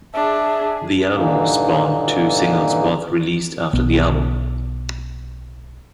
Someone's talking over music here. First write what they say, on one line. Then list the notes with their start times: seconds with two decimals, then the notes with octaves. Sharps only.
The album spawned two singles, both released after the album.
0.14 D4 G#4 E5 A5
1.14 G2 A#2 D3 E3 A#3 D#4
3.73 B1 B3